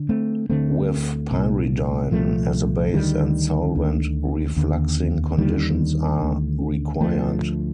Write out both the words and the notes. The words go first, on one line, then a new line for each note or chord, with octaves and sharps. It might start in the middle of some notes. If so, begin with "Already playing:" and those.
With pyridine as a base and solvent, refluxing conditions are required.
Already playing: D3
A3 C4
D2 D3 A3 C4
C2 A#2
C2 A#2 F3 A3
D2 D3 D#3 G3
D2 D3
D#2 D3
D#2 D3 D#3 G3
D2 D3
D2 D3 F3 A3